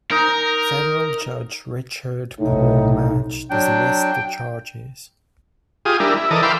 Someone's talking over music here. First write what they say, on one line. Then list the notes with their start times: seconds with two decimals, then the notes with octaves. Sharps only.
Federal judge Richard Paul Matsch dismissed the charges.
0.11 D#4 A#4
2.40 B1 A2 C3 D#4
3.51 F#3 D4 G5
5.85 F4 G4 G#4 D#6
6.00 G3 D4 E4 A#4
6.16 E4
6.31 E3 A4 A#4 D5 D#5
6.43 E5 F5 G5 B5 C6 D6